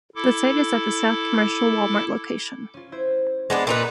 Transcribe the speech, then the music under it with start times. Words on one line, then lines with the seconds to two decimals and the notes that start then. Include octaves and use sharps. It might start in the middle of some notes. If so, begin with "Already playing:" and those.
The site is at the South Commercial Wal-Mart location.
0.16 E4 A4 D6
2.74 C#4 F4
2.92 E4 C5 G#6
3.50 G#3 B3 D4
3.67 A#2 D#4 B4